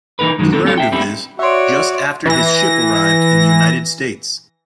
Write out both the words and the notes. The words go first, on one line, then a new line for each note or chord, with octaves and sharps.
He learned of this just after his ship arrived in the United States.
E3 A#3 D#4 A#4 B4
F#2 D#3 F3 F#3 G#3
D3 C4 A4 A#4
A#3 C4 E4 A4 C#5 F5
E5 G5
G3 B3 C4 D4 E4 G4
F#4 C#5 D5 E5 C6
E3 A#6